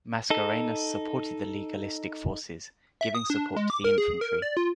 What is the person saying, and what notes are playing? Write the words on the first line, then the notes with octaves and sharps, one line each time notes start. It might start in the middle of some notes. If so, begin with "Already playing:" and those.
Mascarenhas supported the legalistic forces, giving support to the Infantry.
D#4 A4
E5
D#6
D4
G#3
D6
A#4
G#4
A#4
D5
F4